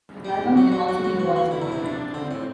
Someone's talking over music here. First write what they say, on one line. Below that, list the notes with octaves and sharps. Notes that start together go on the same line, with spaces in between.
The Marathon can also be watched online.
G3 G4
F#3 F#4
G3
F#3
F#3
E3
E3
D3 E4
B2
C3
D4
D3 C4
A2